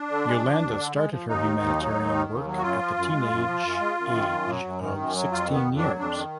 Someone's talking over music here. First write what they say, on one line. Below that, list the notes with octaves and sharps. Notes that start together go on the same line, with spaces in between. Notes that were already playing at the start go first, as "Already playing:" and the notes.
Yolanda started her humanitarian work at the teenage age of sixteen years.
Already playing: D4
D3
G#3
F3
D#2
D3
G#3
F3
D#2 D#4
D#3
D#2
F#3
D#2
D#3
D#2
F#3
F#4
F#2 F4
F3
F#2
G#3
F#2
F3
F#2
G#3
F#2
D#3
F#2
F#3
F#2
D#3
F#2
F#3
F2 F4
D#3
B3
F2
D4
F#3
F2 D4
D#3